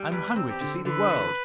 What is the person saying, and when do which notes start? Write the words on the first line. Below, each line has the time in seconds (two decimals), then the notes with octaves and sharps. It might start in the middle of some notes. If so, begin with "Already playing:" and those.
I am hungry to see the world.
Already playing: G3
0.12 E2 B4
0.36 C4
0.49 G4
0.61 D3
0.84 D3 B4
1.10 E2